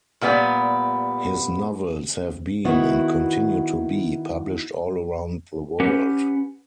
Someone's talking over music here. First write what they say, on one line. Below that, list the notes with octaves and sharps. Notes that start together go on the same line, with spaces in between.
His novels have been, and continue to be, published all around the world.
A#2 G3 B3 D5
D#3 B3 E4 F#4
C#4 G4 B4 F#5